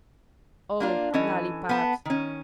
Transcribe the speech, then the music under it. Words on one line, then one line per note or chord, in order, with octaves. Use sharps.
Oh, lollypops!
A#3 D4 F4
E3 C#4 A4 D#5
B3 G#5 A5
D#3 C#4